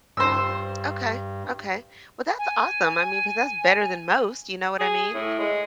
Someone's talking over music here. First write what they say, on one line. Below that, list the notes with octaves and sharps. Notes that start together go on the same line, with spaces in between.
Okay. Okay. Well, that's awesome, I mean, 'cause that's better than most. You know what I mean?
G2 C5 E6
G#5
G#4
A2
G#3